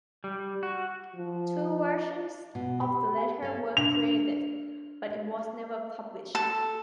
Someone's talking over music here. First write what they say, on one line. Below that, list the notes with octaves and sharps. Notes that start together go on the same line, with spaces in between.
Two versions of the letter were created, but it was never published.
G3
F#4
F3
B2
G4 B5
G#5
A4 F5
D4 F7
A4